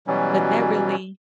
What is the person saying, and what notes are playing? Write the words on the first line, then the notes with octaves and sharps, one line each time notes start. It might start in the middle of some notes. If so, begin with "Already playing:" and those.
but that really
B2 E3 F#3 G3 C#4